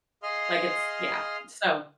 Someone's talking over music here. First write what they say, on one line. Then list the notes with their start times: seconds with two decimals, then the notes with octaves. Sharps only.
like it's, yeah, so
0.23 G#4 D#5 F5 C6 F6